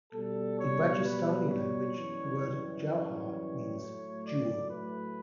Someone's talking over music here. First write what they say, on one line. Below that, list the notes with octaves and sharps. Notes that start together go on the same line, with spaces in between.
In Rajasthani language, the word "jauhar" means "jewel".
B2 G3 A4
C#5
B4
C#5
F#2 E3 G3
C#5
C#5
A2 F#3 A3
D5
B4